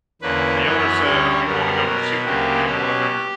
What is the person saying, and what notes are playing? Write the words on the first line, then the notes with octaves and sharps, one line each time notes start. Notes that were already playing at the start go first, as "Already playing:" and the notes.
the owner said that, "We wanna go to the Super Bowl, we don't wanna go
E2 D3 A#3 C#4 B4
F#2 E3 B3 C#5
D2 D3 G3 C#4 C#5
F#2 D3 G3 B3 A#4
B2 F#3 B3
D2 C#3 F#3 A#3 G4
B2 F#3 C#4 G4